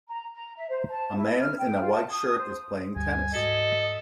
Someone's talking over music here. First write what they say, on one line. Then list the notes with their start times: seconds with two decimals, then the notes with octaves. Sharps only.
A man in a white shirt is playing tennis.
0.09 A#5
0.36 A#5
0.57 E5
0.70 C5
0.89 A5
1.17 E4
1.40 F6
1.59 G5
1.80 F4
1.93 A5
2.11 D#6
2.38 C5
2.96 D2 G2 G3 G#5
3.33 G#2 F#4 A4 D#5 B6